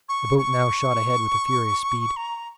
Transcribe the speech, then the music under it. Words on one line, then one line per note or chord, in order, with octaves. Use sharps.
The boat now shot ahead with furious speed.
C#6
C#6
A#5